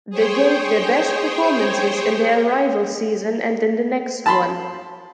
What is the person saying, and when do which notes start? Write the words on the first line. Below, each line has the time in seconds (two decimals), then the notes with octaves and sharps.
They gave their best performances in their arrival season and in the next one.
0.10 G#4 C5 C#5 G5
4.26 A5 B5 C6